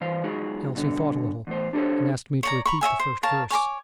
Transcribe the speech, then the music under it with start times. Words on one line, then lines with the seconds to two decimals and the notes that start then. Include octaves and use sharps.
Elsie thought a little, and asked me to repeat the first verse.
0.01 G2 E3 C5 F5
0.24 F#3 G#3 D#4 F4 F#4 G#4
0.75 G2 B2 D3 C#4
1.47 E2 A2 C5
1.73 D4 G4 A4 A#4 C5 C#5
2.43 C#5 D5 A#5
2.66 A#5 B5 C#6
2.81 C#5 D#5 E5 G#5
2.99 C5
3.23 A#4 C#5 F5 A5
3.50 C#5 G#5 A#5 D6